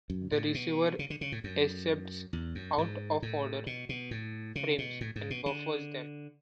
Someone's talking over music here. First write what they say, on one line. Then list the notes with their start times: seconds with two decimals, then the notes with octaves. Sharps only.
The receiver accepts out-of-order frames and buffers them.
0.10 F#2
0.32 A2
0.55 B2
0.99 C#3
1.10 D3
1.21 C#3
1.32 A2
1.44 F#2
2.33 E2
2.55 F#2
2.78 G#2
3.22 A2
3.67 B2
3.89 B2
4.11 A2
4.56 C#3
4.78 B2
5.01 A2
5.16 G#2
5.30 B2
5.46 D3